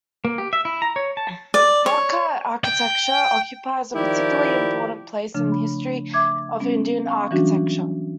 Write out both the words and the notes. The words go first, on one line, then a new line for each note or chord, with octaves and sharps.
Rock-cut architecture occupies a particularly important place in the history of Indian Architecture.
A#3
G4
E5
E4
A#5
C#5
A5
D5
C#5
G5
D#3 F3 E4 G4 D5
C#3 F3 A3 D4
B5
E5 D6 G#6
G3 B3 C#4
F5 C#6
E3 F#3 G3 C#4 D4 F#4